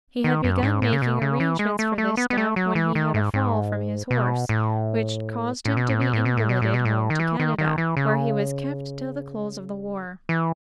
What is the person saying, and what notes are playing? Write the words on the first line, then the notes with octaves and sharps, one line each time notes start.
He had begun making arrangements for this step, when he had a fall from his horse, which caused him to be invalided home to Canada, where he was kept till the close of the war.
D#3
F#2
G#2
A2
C#3
B2
C#3
E3
G#3
A3
A3
B3
B3
A3
F#3
E3
D#3
G#2
G#2
B2
A2
A2
B2
A2
B2
A2
B2
A2
B2
A2
B2
A2
D#3
E3
D#3
D#3
E3
C#3
E3